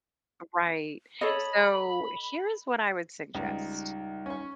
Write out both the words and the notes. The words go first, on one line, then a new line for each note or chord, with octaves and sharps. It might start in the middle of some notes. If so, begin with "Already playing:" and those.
Right, so, here is what I would suggest,
A4 C#5 D#5 B5
C#2 G3 D#4
C#4 C#6